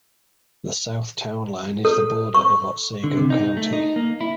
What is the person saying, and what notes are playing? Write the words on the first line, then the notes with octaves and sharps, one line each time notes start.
The south town line is the border of Otsego County.
A4
C#6
D3
C3
D#4
A3
D#4
A#3
E4